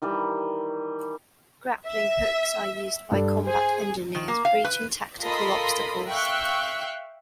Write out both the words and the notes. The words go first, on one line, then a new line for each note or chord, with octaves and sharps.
Grappling hooks are used by combat engineers breaching tactical obstacles.
D#3 E3 G3
E5
G2 D4 A4
G#4 C5
D#3
A#3
F5
B4
F4 A4 A#4 D#5 B5 C6
E5 F5 G5 C#6 E6 F#6